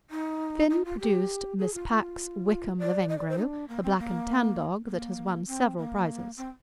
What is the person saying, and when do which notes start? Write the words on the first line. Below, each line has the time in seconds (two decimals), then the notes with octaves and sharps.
Finn produced Miss Packe's Wickham Lavengro, a black and tan dog that has won several prizes.
0.10 D#4
0.69 D#4
0.85 F4
1.00 G4
1.59 G#4
1.74 F4
1.89 F4
2.79 D5
3.09 D#5
3.18 D5
3.29 C5
3.38 D#4
3.42 D4
3.68 A#3
3.83 C4
3.98 A#3
4.87 A#3
5.47 C4
5.77 A#3
6.37 C4